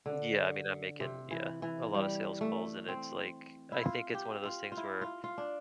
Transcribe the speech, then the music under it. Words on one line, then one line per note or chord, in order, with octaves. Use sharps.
Yeah, I mean, I'm making yeah, a lot of sales calls, and it's, like, I think it's one of those things where
D3
C3
E3
E3
G3
A3
C4
E4
F4
G4
F4
F4
E4
F4
F4
D4